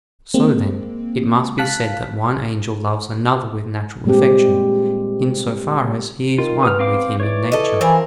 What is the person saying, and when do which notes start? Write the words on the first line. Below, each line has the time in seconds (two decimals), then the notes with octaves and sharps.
So then, it must be said that one angel loves another with natural affection, in so far as he is one with him in nature.
0.34 G#3 A#3 C4
1.58 F5 A5 F#6 B6
4.05 A#2 G3 G#3 C4 G4
6.38 D#3 F4
6.63 B3 D#6 F6
6.79 C4 F5 D6
7.20 E3 C#5 D5
7.52 A4 D#5
7.81 E3 F3 C4 A#4